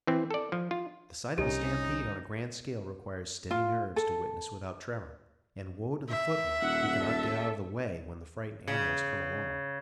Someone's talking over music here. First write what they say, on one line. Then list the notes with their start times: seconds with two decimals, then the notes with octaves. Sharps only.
The sight of a stampede on a grand scale requires steady nerves to witness without tremor; and, woe to the footman who cannot get out of the way when the frightened animals come along.
0.07 E3 C4
0.31 A4 D5
0.52 F3
0.71 F4
1.38 C2 C#4 D#4 G4
3.51 F4
3.96 A4
6.10 E5
6.62 D#1 F#5
7.01 A4
8.68 C#3